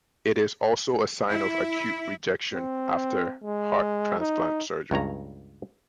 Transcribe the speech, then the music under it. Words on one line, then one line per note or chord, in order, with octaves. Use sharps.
It is also a sign of acute rejection after heart transplant surgery.
E4
C4
G#3
D#4
C#2 G2 C#5 A#5